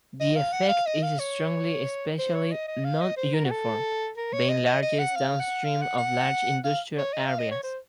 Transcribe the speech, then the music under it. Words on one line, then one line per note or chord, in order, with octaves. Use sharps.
The effect is strongly spatially non-uniform, being largest downstream of large industrial areas.
D#5
F5
F#5
F5
D#5
F5
C#5
C5
C#5
D#5
D#5
F5
D#5
C5
A#4
F#4
A4
A#4
C#5
D#5
D#5
D#5
F#5
F5
F#5
F5
F#5
F#5
F5
C#5
D#5
F5
D#5
C#5
C5